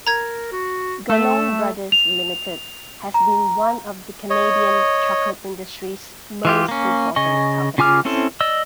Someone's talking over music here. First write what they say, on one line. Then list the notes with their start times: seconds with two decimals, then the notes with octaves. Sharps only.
Ganong Brothers Limited has been one of the Canadian chocolate industry's most important companies.
0.07 A#4 A#5 G#6
0.52 F#4
1.10 A3 E6
1.92 F7
3.14 A#5
4.30 C#5 D#5
6.45 E3 F4 G4
6.68 A#3 C#4
7.16 C#3 D#5 G#5 C#6
7.78 C#3 F4 G#5 D6 F6
8.05 C4 C#4 E4 A4 C5
8.40 D5 D#5 E6